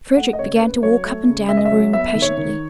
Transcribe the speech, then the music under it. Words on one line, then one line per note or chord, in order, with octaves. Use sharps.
Frederick began to walk up and down the room impatiently.
A3 F#5
D#5
C#3 C#5
C#3 B4
F#3 C#5
A3
C#3
C#3 E5
D#5
E5
F#3
B3 E5
E5
D#3
C#5
D#3